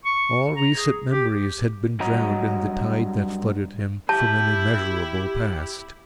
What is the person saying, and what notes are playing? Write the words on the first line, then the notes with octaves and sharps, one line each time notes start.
All recent memories had been drowned in the tide that flooded him from an immeasurable Past.
C#6
A#5
G#4
G4
G2 F#3 F#4 D#5 A#5
E4 G4 A5 G6